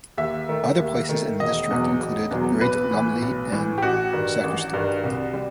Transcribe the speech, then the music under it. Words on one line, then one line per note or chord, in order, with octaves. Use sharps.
Other places in the district included Great Lumley and Sacriston.
D#2 E5
D#3 A3
D#2
D#3 A3
E1 D#5
E2 B2 F#3
E1
E2 B2 F#3
B1 B4
A2 E3
B1
A2 E3
G4
A1 F#4
G2 D#3
A1
G2 D#3
C2
G3